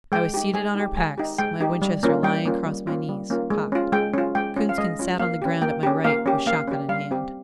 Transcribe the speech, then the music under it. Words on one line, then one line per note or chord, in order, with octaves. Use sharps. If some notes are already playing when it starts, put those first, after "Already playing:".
I was seated on our packs, my Winchester lying across my knees, cocked; Coonskin sat on the ground at my right, with shot-gun in hand.
G#3 G5
D#4 G4
G#3 G#5
D#4 G4
G#3 G#5
D#4 G4
G#3 G5
D#4 G4
G3
A#3 C#4 F4
G3 G5
A#3 C#4 F4
G3
A#3 C#4 F4
G3
A#3 C#4 F4
G#3
C#4 F4
G#3 G5
C#4 F4
G#3 G5
C#4 F4
F5
G#3 D#5
C#4 F4
A#3 F5
C#4 G4
A#3 G5
C#4 G4
A#3 F5
C#4 G4
A#3 F5
C#4 G4
G3 F5
C4 G4